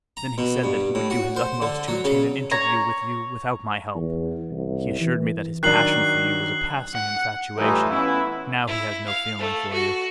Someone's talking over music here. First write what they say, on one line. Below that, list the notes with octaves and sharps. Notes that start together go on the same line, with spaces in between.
Then he said that he would do his utmost to obtain an interview with you without my help. He assured me that his passion for you was a passing infatuation, now he has no feeling for you.
A#5
B2
G2
A2
F#4
C5
D3
F#3
C#3
C#5 A#5
E2
C2
E3
D#3 F#3 D4 F#6 C7 F#7
F#5
A2 E3 G3 A3 D#4 F4
E3 B3 C#4 E4
E4
F5
A3
F#4